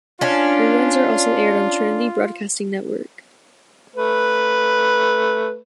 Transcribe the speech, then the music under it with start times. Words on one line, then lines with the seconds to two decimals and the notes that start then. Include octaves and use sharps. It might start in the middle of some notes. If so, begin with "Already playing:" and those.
Reruns are also aired on Trinity Broadcasting Network.
0.21 C#4 D4 F4
3.96 A3 B4